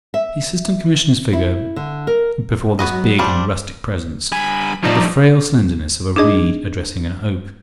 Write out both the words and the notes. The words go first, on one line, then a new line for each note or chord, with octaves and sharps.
The Assistant Commissioner's figure before this big and rustic Presence had the frail slenderness of a reed addressing an oak.
E5
E4
D3
A#4
G#2
F#3 B3 F#4 D#5
F3 G3 D4
G2 G#5 B5
G2 F3 A3 D#4 D5
D4 D#4 G#4 D#5